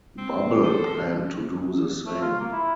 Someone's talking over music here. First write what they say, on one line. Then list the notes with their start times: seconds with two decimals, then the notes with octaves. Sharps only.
Bubble planned to do the same.
0.18 C4
0.64 A4 C5
2.06 A3
2.22 F4
2.40 A#3
2.52 E4